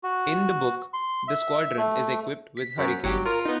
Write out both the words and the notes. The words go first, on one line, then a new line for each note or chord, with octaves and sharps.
In the book, the squadron is equipped with Hurricanes.
F#4
C6
E5
A3
B6
F#2
G1 F#3 G4
F4 A#4
B3 D#4